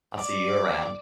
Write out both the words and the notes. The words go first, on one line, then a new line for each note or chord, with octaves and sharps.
I'll see you around.
D5